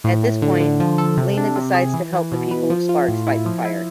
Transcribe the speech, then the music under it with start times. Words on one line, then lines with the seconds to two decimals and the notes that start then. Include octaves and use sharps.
At this point, Lina decides to help the people of Sparks fight the fire.
0.04 A2
0.23 A2
0.42 D3
0.60 D3
0.80 F3
0.98 A4
1.17 C3
1.37 D4
1.56 C3
1.74 G#4
1.94 E3
2.13 E3
2.32 B2
2.51 B4
2.70 F3
2.89 F4
3.08 A2
3.27 E4
3.46 F3
3.65 E4